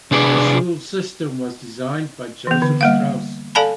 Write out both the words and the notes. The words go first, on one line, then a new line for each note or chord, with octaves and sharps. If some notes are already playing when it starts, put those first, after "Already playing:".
The bascule system was designed by Joseph Strauss.
C3 D4 G#4 B4 D5
E3 B3
D3
G3 A#3 F5
A4 D5 F5 G#5 A5 B5